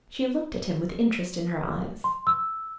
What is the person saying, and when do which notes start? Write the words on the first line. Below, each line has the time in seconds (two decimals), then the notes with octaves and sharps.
She looked at him with interest in her eyes.
2.04 C6
2.27 E6